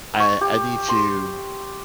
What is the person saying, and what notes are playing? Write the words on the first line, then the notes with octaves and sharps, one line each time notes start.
I I need to
C#6
G4
C6